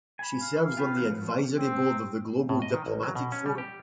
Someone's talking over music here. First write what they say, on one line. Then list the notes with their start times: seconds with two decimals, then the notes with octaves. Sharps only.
She serves on the advisory board of the "Global Diplomatic Forum".
0.19 G#5 B5
0.41 F5
0.65 F5
0.77 F4 G4 B4
0.97 D#3 B4 F#6
1.08 F3 F#3 B3
1.58 C4
2.49 A2
2.62 D#5
2.74 D#3
2.86 A1
3.03 F#3
3.15 B2
3.32 C#4
3.46 G3
3.58 G4